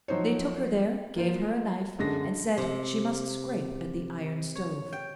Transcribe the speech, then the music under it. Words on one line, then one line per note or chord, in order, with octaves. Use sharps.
They took her there, gave her a knife, and said she must scrape at the iron stove.
F3 F#3 D#4 C5 C#5
A#3 F4 C5
F#2 D3 G#3 D4 A#6
C3
C#5
G5